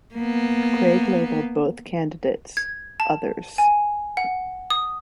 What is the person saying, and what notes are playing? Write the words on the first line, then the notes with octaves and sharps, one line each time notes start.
Craig labelled both candidates: "Others".
A#3 B3
G#6
A5
G#5
F#5
D#6